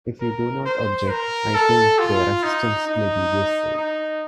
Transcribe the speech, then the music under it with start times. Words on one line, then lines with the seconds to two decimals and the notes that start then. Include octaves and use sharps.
If you do not object I think their assistance may be useful.
0.21 A#4
0.65 C5
1.09 A#4
1.54 A4
1.99 F4
2.43 D#4
2.87 D#4
3.76 D#4